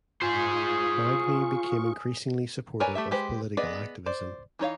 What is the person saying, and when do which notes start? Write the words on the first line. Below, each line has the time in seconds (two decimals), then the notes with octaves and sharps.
Magny became increasingly supportive of political activism.
0.21 F4 G#4 C5 C#6
2.80 A#4 B4 C#5 D5 G#5
2.95 A3 G4 E5
3.11 G#3 G4 B4 C5
3.57 B3 G#4 B4 D5 D#5
4.06 C5 D5
4.59 E3 D#4 C#5 F5